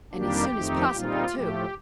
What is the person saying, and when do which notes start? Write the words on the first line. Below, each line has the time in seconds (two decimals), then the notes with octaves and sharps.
"And as soon as possible, too."
0.13 F2 D#3 G3 A#3 D4 G4
0.53 F2 D#3 A3 C4 D#4
0.93 A#2 G3 C4 D#4 F4
1.32 A2 F3 A3 G4